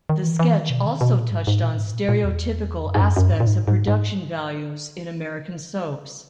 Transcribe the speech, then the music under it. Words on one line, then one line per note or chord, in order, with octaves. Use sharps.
The sketch also touched on stereotypical aspects of production values in American soaps.
D#3
E3
E3
D#3
B2
D#3
B2
A#2
G#2
G#2
A#2
G#2
A#2
A#2
E2
F#2
G#2
F#2
F#2
G#2
A#2
G#2
G#2
G#2